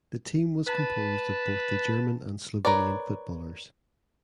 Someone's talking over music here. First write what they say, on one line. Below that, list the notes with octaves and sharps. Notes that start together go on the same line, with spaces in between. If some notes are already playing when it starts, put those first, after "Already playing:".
The team was composed of both the German and Slovenian footballers.
B4 A5
A#4 B4 C#5 D5